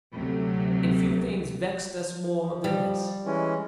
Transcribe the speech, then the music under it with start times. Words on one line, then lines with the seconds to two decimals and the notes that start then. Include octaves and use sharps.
And few things vexed us more than this.
0.13 D2 C3 F#3 A3
2.40 F3
2.64 G3
3.25 E3 G#3 C#4